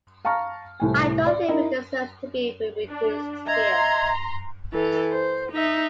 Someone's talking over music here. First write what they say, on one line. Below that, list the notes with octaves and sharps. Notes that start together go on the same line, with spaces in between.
I don’t think it deserves to be reproduced here.
F5 A5 A#5 C#6 F6
C2 A2 G#5
D5
D#4 E4 A#4 D#5
D4
D#5 E5 A#5 C6 G#6
E3 A4
C5
D#4 E5